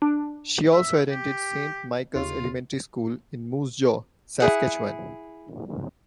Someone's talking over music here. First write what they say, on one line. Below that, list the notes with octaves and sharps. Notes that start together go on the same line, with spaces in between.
She also attended Saint Michael's elementary school in Moose Jaw, Saskatchewan.
D4
E5
G4
D#2 C#3 F4
E4 G#4 F#5